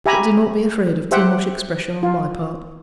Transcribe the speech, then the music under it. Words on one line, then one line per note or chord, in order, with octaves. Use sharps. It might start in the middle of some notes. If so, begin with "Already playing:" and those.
But do not be afraid of too much expression on my part.'
G4 E5 G#5 A#5 B5
G4 C5 E5 F#5 G5
F4